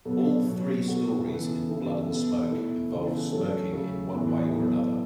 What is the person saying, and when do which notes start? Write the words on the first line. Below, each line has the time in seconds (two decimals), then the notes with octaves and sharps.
All three stories in "Blood and Smoke" involve smoking in one way or another.
0.05 B2 F#3 B3 A4
0.46 B2 F#3 B3
0.87 B2 B3 F#4 A4
1.27 C#3 E3 B3 A4
1.69 C#3 E3 B3 E4 A4
2.09 B2 B3 A4
2.50 B2 A3 E4
2.92 C#3 E3 B3 A4
3.32 F#3 A3 C#4 A4
3.73 C#3 F#3 A3 F#4 A4
4.13 A2 E3 B3
4.55 B2 F#3 B3 E4 A4